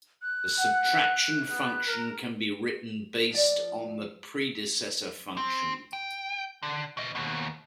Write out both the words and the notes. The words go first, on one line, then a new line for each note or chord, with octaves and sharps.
The subtraction function can be written based on the predecessor function.
F#6
F#5
B3
A#4
F3 D5
C4
G5
D3
C#3 D#5
D#2 B2